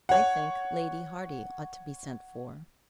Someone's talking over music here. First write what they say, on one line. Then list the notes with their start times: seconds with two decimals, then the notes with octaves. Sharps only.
"I think Lady Hardy ought to be sent for."
0.09 C#5 F#5